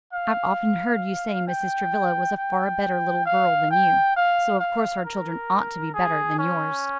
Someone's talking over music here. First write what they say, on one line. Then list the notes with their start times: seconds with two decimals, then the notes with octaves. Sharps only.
"I've often heard you say Mrs. Travilla was a far better little girl than you; so of course her children ought to be better than yours."
0.13 F5
1.48 G5
2.37 G5
3.26 F5
3.71 G5
4.16 F5
4.60 F5
5.05 A#4
5.94 G#4
6.39 C#4